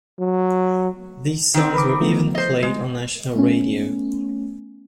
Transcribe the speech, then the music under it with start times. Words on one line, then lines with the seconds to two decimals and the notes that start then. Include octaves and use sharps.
These songs were even played on national radio.
0.20 F#3
1.54 D#3 C4
1.74 B4 B5 D6
2.00 F3 A3 B3
2.35 C5 D#5
2.63 G#3
3.36 A3 B3 C#4